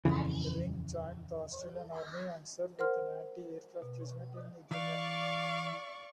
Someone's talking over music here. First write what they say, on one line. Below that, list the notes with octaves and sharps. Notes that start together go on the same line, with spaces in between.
Ring joined the Australian Army and served with an anti-aircraft regiment in New Guinea.
D#1 F2 C#3 E3
A#4 C5 F#5 C6 F6
B2
E3 D5 F5 C#6 D6